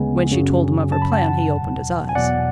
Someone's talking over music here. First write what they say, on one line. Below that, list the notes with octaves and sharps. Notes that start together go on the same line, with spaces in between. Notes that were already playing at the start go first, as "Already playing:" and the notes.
When she told him of her plan he opened his eyes.
Already playing: D2 C#3 G#3 B3 G#5
F#2 C#3 F#3
F#2 C#3 F#3 A5
B5
F#5 A5
E2 B2 F#3
G#5
E2 B2 F#3 D5 F#5